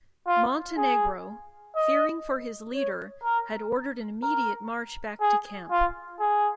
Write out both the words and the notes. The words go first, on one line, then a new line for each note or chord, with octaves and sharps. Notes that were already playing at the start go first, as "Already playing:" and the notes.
Montenegro, fearing for his leader, had ordered an immediate march back to camp.
F4
G#4
D#5
C#5
A#4
A#4
G#4
F4
G#4